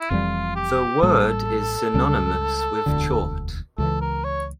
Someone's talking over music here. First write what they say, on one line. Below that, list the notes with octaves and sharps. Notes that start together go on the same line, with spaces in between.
The word is synonymous with chort.
E4
F1 F2 E3 G3 F4
G4
A1 A2 G3 A#3 A4
C#2 C#3 G3 C#4
E1 D2 D3
C#2 C#3 E3 A4
A#4
C#5